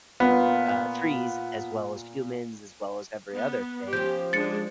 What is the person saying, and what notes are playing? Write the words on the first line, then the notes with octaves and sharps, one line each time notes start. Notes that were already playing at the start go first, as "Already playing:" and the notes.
uh, trees as well as humans, as well as every other thing.
A#2 B3 F4
B3
F3 C#4 G4 G6
G#3 D4 A6 C#7